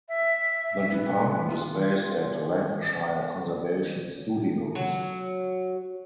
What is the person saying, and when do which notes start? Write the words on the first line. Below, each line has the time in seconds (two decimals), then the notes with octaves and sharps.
The department is based at Lancashire Conservation Studios.
0.09 E5
0.92 B4
1.44 F4
4.75 F#3